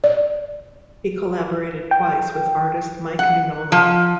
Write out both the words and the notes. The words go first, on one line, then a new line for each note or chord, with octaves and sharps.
He collaborated twice with artist Mike Mignola.
D5
G5
F#5
F3